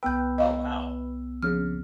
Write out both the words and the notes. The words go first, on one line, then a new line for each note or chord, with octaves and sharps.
Oh, wow.
C2 B3 B4 G5 E6 G6
D#5 F5
F2 C#3 F6